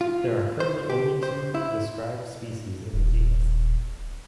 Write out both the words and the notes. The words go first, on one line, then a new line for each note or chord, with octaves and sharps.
There are currently only two described species in the genus.
F4
C5
G4
C5
E4
D#1